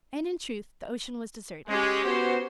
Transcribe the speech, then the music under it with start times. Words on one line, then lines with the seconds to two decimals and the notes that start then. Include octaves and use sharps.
And in truth, the ocean was deserted.
1.68 G#3 C#4 G4
2.04 B3 F#4 C5